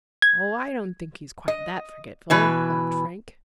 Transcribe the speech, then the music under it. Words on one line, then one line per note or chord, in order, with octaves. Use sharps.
"Oh, I don't think he's quite that forgetful!" laughed Frank.
G#6
D#5
B2 E3 B4